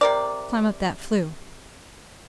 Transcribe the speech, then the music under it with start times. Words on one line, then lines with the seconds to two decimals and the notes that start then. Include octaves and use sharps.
"Climb up that flue."
0.01 C3 A#4 D5